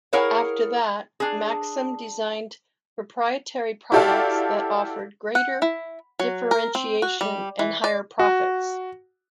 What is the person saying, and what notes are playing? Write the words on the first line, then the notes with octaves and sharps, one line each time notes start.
After that, Maxim designed proprietary products that offered greater differentiation and higher profits.
E4 G#4 A#4 C#5 F5 F#5
D4 G#4
E4 F#4 G4 A4 D5 F5
F#5
E4
F#3
A#4
C4
F#4
G3
E3
D5
F#4